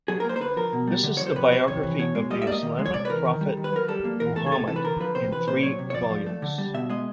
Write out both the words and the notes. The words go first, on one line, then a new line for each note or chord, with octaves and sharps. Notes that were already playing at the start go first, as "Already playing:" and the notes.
This is the biography of the Islamic prophet Muhammad in three volumes.
F#3 G#4
A#4
A#3 C5
C5
D3 B4
F3 A#4
B2
G3
D3
F3 C#5
C5
C3 B4
F3 C5
C3 C#5
E3
B2 C#5
G#3
G3 D#5
E5
A#3 D5
D#5
D#3
G#3
C#5
C3 D5
B4
E3 A#4
D#3
G3
D#3
B4
F#3 A#4
G3 A4
A#3
E3 A#4
A3 A4
G#4
C3 A4
E3 A4
B4
D3 A#4
F3 B4
C3 C5
E3 B4
A#2 C5
F#3 C#5
C3
C#5
F3 D5
F3
A3
D3
G3
B2 E5
G#3 D#5